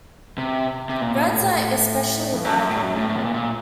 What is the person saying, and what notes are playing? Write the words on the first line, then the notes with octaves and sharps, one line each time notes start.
Reds are especially vibrant.
C3
C3
A#2
A#2
A2
F2
F#2
F#2
A2
F#2
A2
A2
C3
A#2
A#2